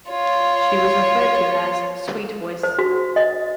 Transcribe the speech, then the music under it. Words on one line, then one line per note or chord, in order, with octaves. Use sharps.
She was referred to as "sweet voice".
F4 C#5
C5
F#4
D#5